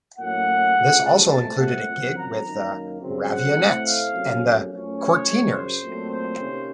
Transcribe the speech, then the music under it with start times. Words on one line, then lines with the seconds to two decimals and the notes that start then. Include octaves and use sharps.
This also included a gig with The Raveonettes and The Courteeners.
0.18 A2 F#3 A#3 C#4 F#5
0.74 C#3 F3 A3
1.03 A5
1.30 A#2 A3 C4
1.59 F#5
1.87 F#2 F3 C4
2.16 A#5
2.44 F#2 D#3 A#3
3.00 C#3 F#3 C4
3.28 F#5
3.56 A2 A3 C4
3.84 F5
4.13 F2 C3 F#3 A#3 C#4
4.69 F#2 F3 A3 C#4
4.97 C#5
5.24 F#2 C#3 F#3
5.53 C5
5.81 A#2 F#3 A3 C4
6.10 C5
6.37 C3 D#3 A#3 C#4